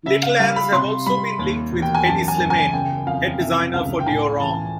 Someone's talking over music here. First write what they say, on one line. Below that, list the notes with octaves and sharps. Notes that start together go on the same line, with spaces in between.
Littl'ans have also been linked with Hedi Slimane, head designer for Dior Homme.
C#3 E5
F5
G3 F5
B5
C3 C6
G3 B5
D#2
E1
G5
G#5
F#2 A5
G#5
F#1
G#5
C#3 G5
F2 F5
C3 E5
C#2 F5
G5
A2 G#5
A1 A5